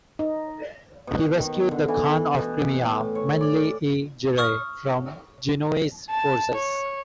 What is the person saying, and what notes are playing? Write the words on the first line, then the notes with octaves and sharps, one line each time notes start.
He rescued the Khan of Crimea, Meñli I Giray, from Genoese forces.
D#4
B2
D#3
B2
D3
E3
B2
A2
C#5
D5
C#6 D#6 F6
A5
C#5